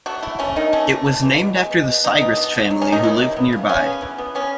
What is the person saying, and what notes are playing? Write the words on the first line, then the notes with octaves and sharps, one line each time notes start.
It was named after the Siegrist family who lived nearby.
A3 F#4
A3 E4
A3 C#4
D#3 D#4
A3 C#4
E3
E3
E3
B2
G#3
B2
B2
B2 D#4
B2
B2
B2
F#3
D#3 C#4
D#4
D#3 E4
F#3
B3
C#3
C#3 C#4
B3
E3
B3
B3 C#4